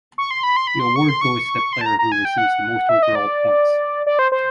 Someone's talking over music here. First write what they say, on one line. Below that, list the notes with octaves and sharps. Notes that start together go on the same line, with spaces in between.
The award goes to the player who receives the most overall points.
C#6
C6
B5
C6
B5
C6
C#6
C6
C#6
C6
A5
A#5
A#5
G#5
G5
F#5
E5
D#5
D5
D5
C5
C5